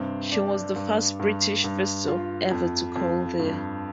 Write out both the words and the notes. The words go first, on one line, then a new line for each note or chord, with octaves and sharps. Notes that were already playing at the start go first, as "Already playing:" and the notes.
She was the first British vessel ever to call there.
Already playing: G2 C3 C4
D4
G2
G2
G2
F4
F2
F2
G2